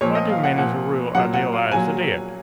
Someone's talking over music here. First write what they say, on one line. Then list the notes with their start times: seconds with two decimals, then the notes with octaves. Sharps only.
Why do men as a rule idealize the dead?
0.01 A#2 F3 C#5
0.15 D#5
0.29 F5
0.44 F#5
0.58 A#2 F3 F#5
1.15 A#2 F#3 F#5
1.34 F#5
1.53 F5
1.72 A#2 F#3 G#5